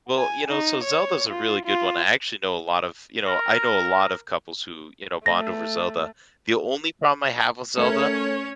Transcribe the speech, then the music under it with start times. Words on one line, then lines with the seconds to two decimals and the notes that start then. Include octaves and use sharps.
Well, you know, so Zelda's a really good one, I actually know a lot of you know, I know a lot of couples who, you know, bond over Zelda. The only problem I have with Zelda
0.19 G#5
0.48 D#4
0.84 C#5
1.30 F4
1.65 F4
3.27 A#4
5.26 A3 A#6
7.77 A3 C#4 A#4 C#5